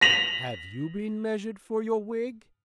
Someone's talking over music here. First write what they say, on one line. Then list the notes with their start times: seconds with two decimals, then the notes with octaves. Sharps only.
"Have you been measured for your wig?"
0.01 A#6 B6 F7 F#7